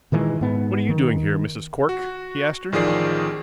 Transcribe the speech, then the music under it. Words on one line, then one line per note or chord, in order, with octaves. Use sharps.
"What are you doing here, Mrs. Cork?" he asked her.
A#2 D#3 E3 G#3
G#2 B3
D#3
F#4
A1 D#3 F3 G#4 D5 C7